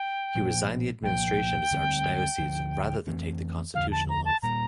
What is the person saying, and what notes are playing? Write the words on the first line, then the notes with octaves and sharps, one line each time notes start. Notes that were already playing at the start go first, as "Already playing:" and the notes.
He resigned the administration of his archdiocese rather than take the constitutional oath.
Already playing: G5
A#2 F3 A#3
C2 A#2 F3 A#3 G5
D2 D3 G3 C4
D2 D3 F3
F2 E3 A3 C4
E2 D3 F3 F5
A5
A#5
A5
A#2 G3 A#3 A#5